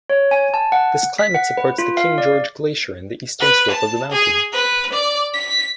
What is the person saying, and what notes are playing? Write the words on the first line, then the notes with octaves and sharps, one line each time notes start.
This climate supports the King George Glacier on the eastern slope of the mountain.
C#5
G#5
A5
F#5
B6
F#5
B4
F4
F5
D5
B4
A5
G#4
B4
D5
B6